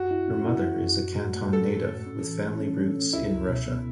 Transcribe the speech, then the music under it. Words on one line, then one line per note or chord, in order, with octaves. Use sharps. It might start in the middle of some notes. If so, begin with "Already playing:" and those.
Her mother is a Canton native with family roots in Russia.
Already playing: F#2 F#4
E4
C#4
E4
F#2
F#2
A2
A2
A3
A2 A4
A2
A2
C#4
E3
A3
C#4
C#4
C#4
C#2 E4
C#2
B2
B3